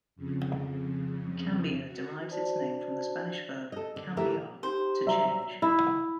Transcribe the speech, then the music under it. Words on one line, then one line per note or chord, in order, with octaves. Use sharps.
Cambia derives its name from the Spanish verb "cambiar", to change.
F2 C#3
F#4
D4 F#4 C5 D5 A5
A4 D#5
D3
D2 E3 A3 G4 A#4 E5
D#4 G4 C5
F#3 G3 E5 A#5
E4